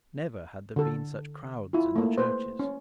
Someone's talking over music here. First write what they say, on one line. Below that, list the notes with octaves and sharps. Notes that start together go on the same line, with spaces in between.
Never had there been such crowds in the churches.
D3 A4
E4 F4
A3 A#3
B4 C5
C#4